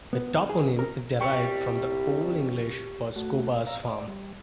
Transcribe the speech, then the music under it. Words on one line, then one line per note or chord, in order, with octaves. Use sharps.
The toponym is derived from the Old English for "Scobba's farm".
B3
D#4
G#4
A#4
C2 G3 G5 C#6 C#7
A3 F#4
F5 A#5 E6
D5
G3